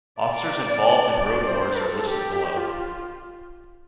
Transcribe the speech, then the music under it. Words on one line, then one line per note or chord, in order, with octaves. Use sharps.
Officers involved in Road Wars are listed below.
D5
D5
C5
A4
G4
F4